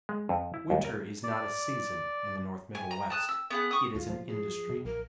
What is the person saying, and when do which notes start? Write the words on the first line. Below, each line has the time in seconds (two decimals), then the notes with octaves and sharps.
Winter is not a season in the North Middlewest; it is an industry.
0.09 G#3
0.29 F2
0.54 E4
0.70 D#2
0.85 A#4
1.24 D5
2.75 G#5
2.91 A#5
3.10 A5 D#6 F#6
3.29 E6
3.50 B3 G#4 F#5
3.71 C#6 D#6
3.95 D2 F4
4.10 F3
4.28 G#4
4.70 B2
4.85 A#1 A#4